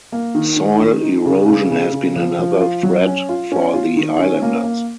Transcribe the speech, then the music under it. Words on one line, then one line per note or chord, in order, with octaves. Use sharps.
Soil erosion has been another threat for the islanders.
A#3
D#3
D#3
D#3
D#4
C#3
C#3
C#3
C#3
F3
F3
F4
F#3
C#4
F4
C#4
F4
D#3
C#4
A#3
A#3